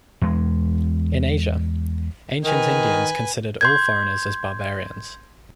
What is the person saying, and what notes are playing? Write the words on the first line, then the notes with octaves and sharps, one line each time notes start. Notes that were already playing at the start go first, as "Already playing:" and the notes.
In Asia, ancient Indians considered all foreigners as barbarians.
E2 G#3
D#3 B4 G#5
C6 G6 G#6